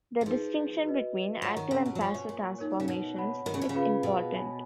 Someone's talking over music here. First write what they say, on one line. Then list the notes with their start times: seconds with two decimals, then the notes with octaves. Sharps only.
The distinction between active and passive transformations is important.
0.21 D#3
0.26 F3 D#4 G#4 B4
0.84 F#4 B4 D#5
1.42 F3 C#5 F#5 A#5 C#6
1.57 D#3
1.71 C#3
1.86 B2
1.95 F#3
2.01 F3 C#5 G#5 C#6
2.14 B2
2.29 A#2
2.59 D#4 A#4 C#5
2.80 C#3
2.88 B2
3.16 C#5 F#5 B5
3.46 D#3
3.54 C#3
3.62 B2
3.69 C#3
3.75 F4 G#4 B4 F5 B5
4.03 B2
4.33 C#5 G#5 B5